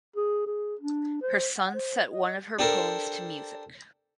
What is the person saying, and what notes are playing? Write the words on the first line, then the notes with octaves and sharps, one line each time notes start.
Her son set one of her poems to music.
G#4
G#4
D4
C5
F#5
C5
D#5
D4 G4 A4 A#4 C5